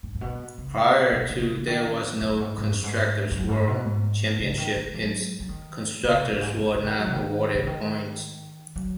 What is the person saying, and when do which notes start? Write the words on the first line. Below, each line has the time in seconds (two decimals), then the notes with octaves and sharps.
Prior to there was no Constructor's World Championship, hence constructors were not awarded points.
0.03 G#2
0.15 G#2
0.21 B2
0.58 C#3
1.12 B2
1.30 C#3
1.41 B2
1.49 C#3
1.67 D#3
1.86 C#3
2.04 B2
2.21 F#2
2.40 G#2
2.58 G#2
2.71 F#2
2.84 G#2
3.31 F#2
3.49 G#2
3.67 B2
3.84 G#2
4.39 C#3
4.58 D#3
4.76 D#3
4.94 F#3
5.40 F#3
5.49 D#3
6.04 C#3
6.22 B2
6.32 F#2
6.40 G#2
6.58 G#2
6.75 C#3
6.85 D#3
6.99 F#3
7.06 C#3
7.12 D#3
7.55 C#3
7.67 D#3
8.76 F#3